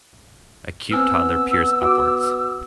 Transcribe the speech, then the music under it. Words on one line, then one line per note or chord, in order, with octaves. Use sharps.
A cute toddler peers upwards.
B3 C4 G#5 E6 F6
F#4 D6